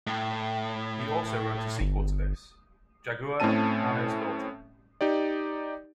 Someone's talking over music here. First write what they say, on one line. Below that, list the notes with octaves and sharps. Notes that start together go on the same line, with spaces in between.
He also wrote a sequel to this, "Jagua Nana's Daughter".
A2
G1
A2 A3 C4 C#4 A5 D#7
D#4 G4 D5